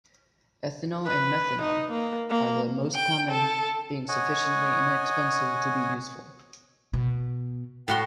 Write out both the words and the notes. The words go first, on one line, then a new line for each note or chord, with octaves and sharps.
Ethanol and methanol are the most common, being sufficiently inexpensive to be useful.
B4
D#4
A#3
A#3
G5
A4
C#5 D#5 F#5 G#5
B2
A2 F#4 G5 C6